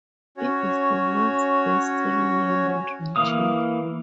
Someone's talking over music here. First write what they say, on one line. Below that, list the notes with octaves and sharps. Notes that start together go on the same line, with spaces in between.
It is the world's best selling London Dry gin.
C#4 F#4 C#5
E3 A#3 F5 D#6